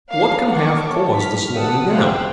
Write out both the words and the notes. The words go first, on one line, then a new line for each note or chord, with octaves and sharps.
What can have caused the slowing down?
A#3 C#5 F5 C7
F#5 A5 C#6 D6
A4 C#5
F6 B6
F#5 G5 A5 D#6 E6
G4 C5 F5 G5 F#6